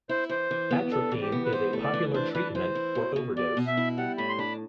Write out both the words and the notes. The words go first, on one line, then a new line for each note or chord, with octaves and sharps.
Atropine is a popular treatment for overdose.
E4 C5
E3 C5
E3
B3
D4 A4
E3
G4
B3
B4
E3 C5
A3
D5
E3
D4 C5
E3 B4
E3 C5
E4
B2
B2
B2 D5
B2
E5
E4
G3 F#5
A2 B5
C6
D4 B5